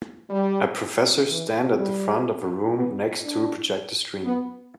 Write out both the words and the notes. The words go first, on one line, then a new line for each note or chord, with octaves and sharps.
A professor stand at the front of a room next to a projector screen.
G3
E3
G3
B3
D4
B3